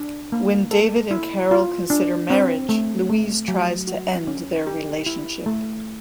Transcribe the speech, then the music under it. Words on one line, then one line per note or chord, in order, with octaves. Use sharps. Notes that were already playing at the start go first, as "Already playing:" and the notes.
When David and Carol consider marriage, Louise tries to end their relationship.
Already playing: D4
A#3
A4
E4
F4
D4
C4
A3
A3
F#3
F#4
C#4
G4
E4
A3